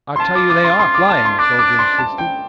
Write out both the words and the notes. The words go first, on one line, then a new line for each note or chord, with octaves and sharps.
"I tell you they ARE flying," the soldier insisted.
C6
F4 A5
D6
D6
C6
C6
D6
A5
C6
D4 D6
D6
C6
A5
G5